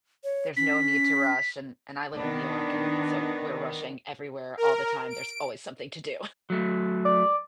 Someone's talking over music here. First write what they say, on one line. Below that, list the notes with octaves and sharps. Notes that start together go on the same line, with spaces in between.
There's no need to rush, and and I live in New York, and so we're rushing everywhere all the time, there's always something to do,
C#5
C#4 B6
D#3 B3 D4
A#4
D7
F#3 A3
D5